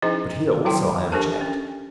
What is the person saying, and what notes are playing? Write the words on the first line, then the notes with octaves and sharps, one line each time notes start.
But here also I am checked.
F3 C#4 D#4 E4 G#4 D#5
D#3 F#3 E4 A4 G5 C6
D4 G4 A4 A#4 C5 A5
C#4